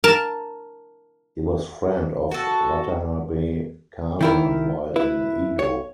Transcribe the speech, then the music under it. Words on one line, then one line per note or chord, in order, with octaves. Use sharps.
He was friend of Watanabe Kazan while in Edo.
A#4 A5
F#4 A4
D#3 E4 A#4
E4 B4
C#5